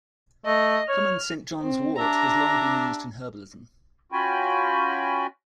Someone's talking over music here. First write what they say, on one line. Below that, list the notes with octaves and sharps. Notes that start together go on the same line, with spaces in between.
Common Saint John's-wort has long been used in herbalism.
A3 D#5
C#5 F6
C4
D4 G4 E5 A#5
C#4 F4 F#4 G5 G#5 B5